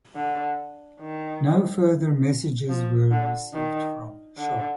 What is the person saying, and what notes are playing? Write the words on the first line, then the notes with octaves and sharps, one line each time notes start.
No further messages were received from "Shark".
D3
D#3
F3
D3
D#3
D3